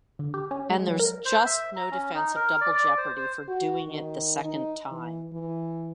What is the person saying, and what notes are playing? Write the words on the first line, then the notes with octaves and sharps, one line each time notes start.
And there's just no defense of double jeopardy for doing it the second time.
D3
G4
C#4
G#3
F#3
A#4
C5
E5
A#5
C#4
D#4
A#4
D5
D5
C5
C5
F#4
D#3
D#4
E3
E3